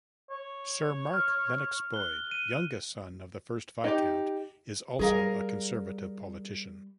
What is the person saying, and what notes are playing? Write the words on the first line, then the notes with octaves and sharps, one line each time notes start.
Sir Mark Lennox-Boyd, youngest son of the first Viscount, is also a Conservative politician.
C#5
F6
F#6 G7
D#7
D#4 G4
G3 G#4 A#4 F5